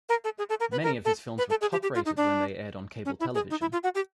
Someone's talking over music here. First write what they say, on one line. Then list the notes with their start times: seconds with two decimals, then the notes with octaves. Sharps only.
Many of his films were top rated when they aired on cable television.
0.09 A#4
0.24 A4
0.38 G#4
0.49 A4
0.60 A#4
0.72 B4
0.83 A#4
1.05 A4
1.38 B4
1.50 A4
1.61 G#4
1.72 G4
1.82 G4
1.95 F4
2.06 D#4
2.17 D4
3.05 C#4
3.20 E4
3.34 G#4
3.50 D#4
3.61 E4
3.72 F4
3.83 F#4
3.95 G4